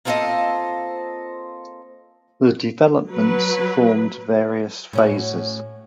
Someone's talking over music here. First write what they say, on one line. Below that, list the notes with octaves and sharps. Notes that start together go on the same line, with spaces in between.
The developments formed various phases.
A#3 C4 F4 A4 C5 D#5
F#3 B4
A2 C#4 F#4